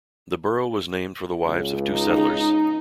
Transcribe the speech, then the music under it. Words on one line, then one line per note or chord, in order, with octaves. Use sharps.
The borough was named for the wives of two settlers.
C#2
D#4